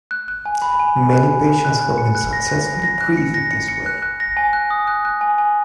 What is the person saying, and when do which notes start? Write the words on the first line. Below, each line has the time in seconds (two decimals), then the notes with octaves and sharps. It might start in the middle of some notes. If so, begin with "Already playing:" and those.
Many patients have been successfully treated this way.
0.11 F#6
0.28 F#6
0.46 G#5
0.62 B5
0.79 G#5
0.96 G#5
1.13 F#6
1.31 G#5
1.47 G#5
1.65 F#6
1.81 F#6
1.98 C#7
2.15 F#6
2.33 A#6
2.50 F#6
2.66 A#6
2.83 A#6
3.01 F#6
3.17 C#7
3.34 A#6
3.51 C#7
3.68 C#7
3.86 F#6
4.02 F#6
4.20 A#6
4.37 G#5
4.53 F#6
4.70 D#6
4.87 F#6
5.05 F#6
5.21 G#5
5.38 G#5